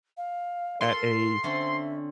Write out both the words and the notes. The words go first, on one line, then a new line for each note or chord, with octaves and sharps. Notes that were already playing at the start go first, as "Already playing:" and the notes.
at a,
F5
F4 A4 A#4 C6
D3 C4 C#4 E5